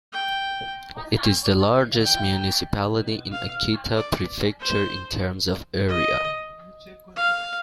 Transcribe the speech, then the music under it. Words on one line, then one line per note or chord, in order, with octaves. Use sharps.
It is the largest municipality in Akita Prefecture in terms of area.
G5
G5
F5
D5
C5
D#5
F5